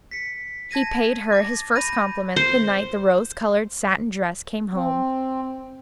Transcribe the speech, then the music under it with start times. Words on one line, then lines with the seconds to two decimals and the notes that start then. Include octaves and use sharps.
He paid her his first compliment the night the rose-colored satin-dress came home.
0.11 B6 C#7
0.71 A5 G#6 A#6 D#7
1.32 D6 A6 A#6
1.76 B5 G6 A#6 D#7
2.36 C5
4.74 C4